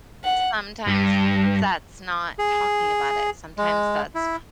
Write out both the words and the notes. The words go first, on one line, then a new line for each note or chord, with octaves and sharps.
sometimes that's not talking about it. Sometimes that's
F#5
G2
G#4
G#3
E4